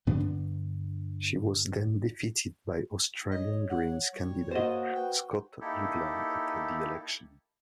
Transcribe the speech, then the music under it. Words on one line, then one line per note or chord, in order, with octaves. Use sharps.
She was then defeated by Australian Greens candidate Scott Ludlam at the election.
G2 D3 B3 D4
C#5 D#5
F#5
G3 C#5
A#3 F#4 C5 D#5
B4 G5
A#3 D#4 E4 G4 A4